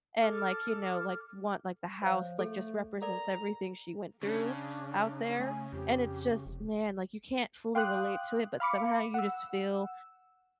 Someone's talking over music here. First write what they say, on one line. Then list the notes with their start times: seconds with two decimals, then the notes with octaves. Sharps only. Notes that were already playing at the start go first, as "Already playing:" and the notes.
and, like, you know, like, f want like, the house, like, just represents everything she went through out there, and it's just man, like, you can't fully relate to it, but somehow you just feel
0.20 A4 D6 F6
2.02 F3 C5 C#5 F5
2.39 A3 A4
3.02 A4 A#4 D5 A#5
4.23 C#3 D4
5.39 A3 G#5
5.73 F2 G4
6.46 F1
7.75 F5 G5 C6 D6 D#6 F#6
8.60 F5 B5 D6 C#7
9.14 F#5 E6